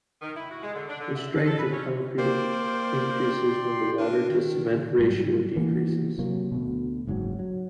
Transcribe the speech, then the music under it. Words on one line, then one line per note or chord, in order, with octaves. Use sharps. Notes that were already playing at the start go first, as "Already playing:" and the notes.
The strength of concrete increases when the water to cement ratio decreases.
D#3
E4
F#4
G#3
D3
D4
D3
E5
A4
A4
B4
C#4
A#3 A#4 C5 D5 G5 C6
D4 A#4 B4
D#3
G#2 F#3 G3
E3 A#3 B3 D4
C3 F#3 A#3
D2 B2
F#1 G#2 B2 F#3
F#3